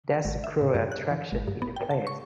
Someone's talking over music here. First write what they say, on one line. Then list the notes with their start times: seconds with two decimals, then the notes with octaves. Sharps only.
There's a cruel attraction in the place.
0.25 G#1
0.44 E5
0.61 A2
0.75 G2
0.92 F#6
1.11 E3
1.32 G#1
1.47 G2
1.62 B3
1.76 G5
1.91 A5
2.07 C#6